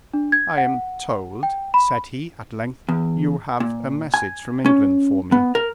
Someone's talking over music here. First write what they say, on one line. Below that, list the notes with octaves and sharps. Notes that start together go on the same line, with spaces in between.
"I am told," said he, at length, "you have a message from England for me."
D4
G#6
F#5
G5
B5
E2
A#2
G#5
C#4
B3
A#4